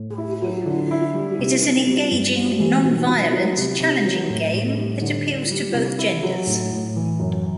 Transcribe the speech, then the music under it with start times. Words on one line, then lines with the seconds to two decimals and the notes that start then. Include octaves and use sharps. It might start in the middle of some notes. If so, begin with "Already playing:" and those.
It's an engaging, nonviolent, challenging game that appeals to both genders.
Already playing: A2
0.18 E4
0.42 F#3
0.66 D3
0.91 E4
1.14 G3
1.39 C3
1.63 C3
1.87 G3
2.11 G2
2.36 C4
2.60 E3
2.85 B2
3.09 B2
3.32 F#3
3.57 C3
3.80 C3
4.05 F#3
4.30 A2
4.54 A2
4.78 G3
5.02 D3
5.27 D4
5.51 G3
5.74 C3
5.99 E4
6.23 F#3
6.47 A2
6.72 A2
6.96 E3
7.19 F#2